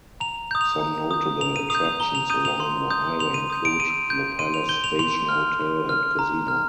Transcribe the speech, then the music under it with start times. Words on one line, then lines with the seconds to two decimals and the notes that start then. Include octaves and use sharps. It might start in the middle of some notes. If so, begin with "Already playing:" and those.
Some notable attractions along the highway include the Palace Station Hotel and Casino.
0.20 A#5 F7
0.51 D#6 G6
0.61 F7
0.81 A#5
1.11 D#6 G6
1.41 A#5 F7
1.56 D#7
1.70 D#6 G6 F7
1.85 F7
2.00 A#5 G7
2.15 F7
2.30 D#6 G6 D#7
2.45 F7
2.60 C6
2.90 D#6 G6
3.19 C6 F7
3.34 D#7
3.50 D#6 G6
3.65 D7
3.80 C6 D#7
4.10 G6
4.39 C6 D#7
4.54 F7
4.69 G6 G7
4.84 F7
4.99 C6 F7
5.29 F6
5.60 C6
5.89 F6
6.19 A#5
6.48 F6